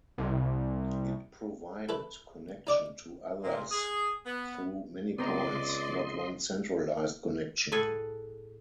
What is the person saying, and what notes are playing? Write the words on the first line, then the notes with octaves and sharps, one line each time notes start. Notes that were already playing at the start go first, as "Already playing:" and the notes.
It provided connection to others through many points, not one centralized connection.
C2
E4 A4 B4
D#4 D5 D6
A#2
G#4
B3
C#2 B3 C4 D5 D#5 A#5 C6
A2 G#4 A4 B4 G#5